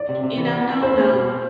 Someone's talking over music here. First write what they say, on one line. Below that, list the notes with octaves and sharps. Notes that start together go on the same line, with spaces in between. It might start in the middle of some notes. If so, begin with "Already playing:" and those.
you know, "No, no."
Already playing: D5
C3
C3
E3
B3
D4
E4 C5
A3
B2